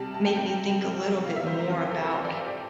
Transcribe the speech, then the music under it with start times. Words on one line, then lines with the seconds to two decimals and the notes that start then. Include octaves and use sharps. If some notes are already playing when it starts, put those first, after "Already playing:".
make me think a little bit more about
Already playing: C3 G3 A5
0.14 A5
0.25 G5
0.36 C3 G3 G5
0.81 C3 G3
1.25 C3 G3 F5
1.36 E5
1.47 C5
1.59 A#4
1.69 C3 F3 F4
1.81 G4
1.91 A4
2.03 A#4
2.14 C3 F3 C5
2.25 D5
2.36 E5
2.47 G4